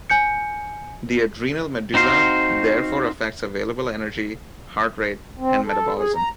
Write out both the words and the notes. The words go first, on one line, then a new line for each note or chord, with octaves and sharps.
The adrenal medulla therefore affects available energy, heart rate, and metabolism.
G#5 G6 C#7
C4 D#4 F#4 C5 F5
C4
A4
G#4
A#5